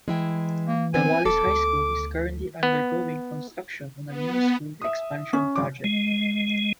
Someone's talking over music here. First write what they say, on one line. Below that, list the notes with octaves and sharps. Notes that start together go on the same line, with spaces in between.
The Wallace High School is currently undergoing construction on a new school expansion project.
E3 G#3 E4 G5
A#3
B3 C4 G#5
E1 A4 D6
D2
B3
B3
E5 D#6
C#4
G#1 D6
G#3